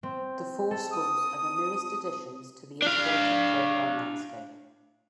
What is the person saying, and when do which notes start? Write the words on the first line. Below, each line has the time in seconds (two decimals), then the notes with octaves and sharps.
The four schools are the newest additions to the Integrated Programme landscape.
0.03 C4
0.71 A4
0.91 D#6
2.82 D4 F5